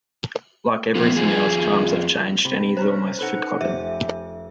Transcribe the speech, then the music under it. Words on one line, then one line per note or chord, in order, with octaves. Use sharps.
Like everything else, times have changed and he is almost forgotten.
F3 B3 F4
F2 F4 G#4 G#5
C3 B5
C#4 B4 C5 A#5 E7
D#4 A4 B4 F#5 E6 F#6
F1 G4 C5 E5